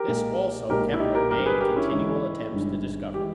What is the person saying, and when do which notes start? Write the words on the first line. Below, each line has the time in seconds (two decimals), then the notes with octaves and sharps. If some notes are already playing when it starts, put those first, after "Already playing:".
This also Kepler made continual attempts to discover.
Already playing: G4 A#4
0.08 B1 A#2 G#3
0.69 B1 A#2 G#3 G4 A#4
0.94 E4
1.00 D#4 G4
1.15 G4 A#4
1.30 G1 G2 G3 G4 A#4
1.46 G#4 B4
1.61 G4 A#4
1.76 C#4 E4
1.91 A#1 G#2 E3 G#3
2.53 G1 G2 D#3 G#3
3.14 E3 G#3 G4